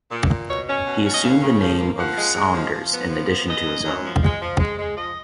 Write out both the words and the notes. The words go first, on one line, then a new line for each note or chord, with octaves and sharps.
He assumed the name of Saunders in addition to his own.
A#2
A#2
B2 C#5
C#4
B2
C#4
D#5
D#2 F5
C#3
F3
A#3
F3 F#5
G#3
G#3
F3
F3
B3
F3
B3
F#2 D#5
F#2
F#2
F3
G#3
F3
G#3
G#3
F3 D#5